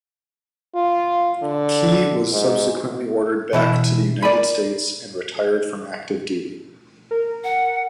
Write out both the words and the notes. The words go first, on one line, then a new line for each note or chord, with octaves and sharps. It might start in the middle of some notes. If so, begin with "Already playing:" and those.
Key was subsequently ordered back to the United States and retired from active duty.
F4
D3
G#2
B2 E3 E4
A#4 D5 G#5 B5
A#4
F#5